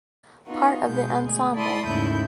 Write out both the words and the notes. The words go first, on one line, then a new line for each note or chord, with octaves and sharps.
Part of the ensemble.
B3 D#4 F4 F#4
B2 G#3 G6
D2 G#4
E4 D5 A5 B5 C6 D#6
D#2 G#2 C#3 A3 E4 G6